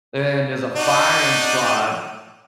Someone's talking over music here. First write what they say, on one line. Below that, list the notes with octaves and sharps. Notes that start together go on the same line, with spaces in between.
and there's a firing squad
D4 D#4 F#4